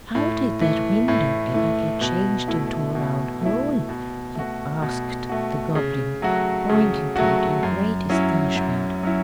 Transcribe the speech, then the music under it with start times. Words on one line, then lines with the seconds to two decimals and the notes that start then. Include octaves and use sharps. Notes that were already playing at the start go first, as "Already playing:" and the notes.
"How did that window ever get changed into a round hole?" he asked the Goblin, pointing to it in great astonishment.
0.15 A2
0.61 E3 A3
1.08 A2
1.54 E3 A3
2.01 B2
2.48 A3 E4
2.95 B2
3.41 A3 E4
3.89 B2
4.35 A3 F#4
4.82 B2
5.29 A3 F#4
5.75 C#3
6.22 F#3 A3 F#4
6.69 C#3
7.16 F#3 A3 F#4
7.63 F#2
8.09 F#3 C#4 E4
8.56 F#2
9.03 F#3 C#4 E4